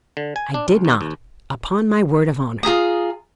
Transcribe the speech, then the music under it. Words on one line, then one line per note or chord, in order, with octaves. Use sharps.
"I did not; upon my word of honour."
D3
G#5
D4
C#2
D#2
D#2
F4 G#4 A#5 D#6